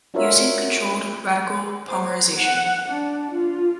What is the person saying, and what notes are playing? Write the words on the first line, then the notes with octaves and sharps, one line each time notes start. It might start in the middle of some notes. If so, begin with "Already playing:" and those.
Using controlled radical polymerization.
D4 F4 F#4 A#4 C#5 E5
C5
F#5
D4
F4